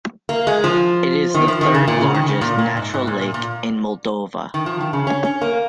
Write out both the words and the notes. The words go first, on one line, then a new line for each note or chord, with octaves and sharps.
It is the third largest natural lake in Moldova.
A#3
G#3
F3
D#3
F3
D#3
C#3
A#2
C#3
D#3
C#3
A#2
A#2
G#2
G#2
A#2
A#2
A#2
D#3
F3
D#3
C#3
C#4
C#4
A#3